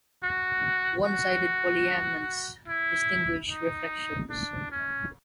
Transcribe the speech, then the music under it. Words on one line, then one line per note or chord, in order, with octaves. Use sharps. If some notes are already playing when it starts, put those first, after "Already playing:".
One-sided polyiamonds distinguish reflections.
F#4
F#4
E4
D#4
D4
C#4